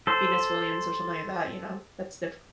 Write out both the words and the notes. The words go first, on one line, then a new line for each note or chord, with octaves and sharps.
Venus Williams or something like that. You know? That's diffi
A4 C5